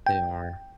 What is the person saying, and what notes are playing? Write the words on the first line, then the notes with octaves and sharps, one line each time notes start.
They are.
G5